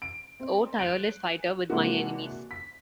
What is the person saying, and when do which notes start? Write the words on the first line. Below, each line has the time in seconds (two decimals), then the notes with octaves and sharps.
O tireless fighter with my enemies!
0.02 D7
0.40 C4
0.79 F#6 G6 D7
1.70 C3 E3 G#3 A#3 D4 F#4
2.51 B6